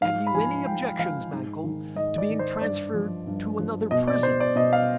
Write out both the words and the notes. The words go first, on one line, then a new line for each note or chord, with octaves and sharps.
"Have you any objection, Mankell, to being transferred to another prison?"
G#2 F5
B5
F3 G#5
G#2 G5
F3 F5
G#2
D#3
G#2 D#5
D5
D#3
C5
G2 D5
F3
G2
F3
B2 D#5
D5
C5
D5
B2 D#5
F5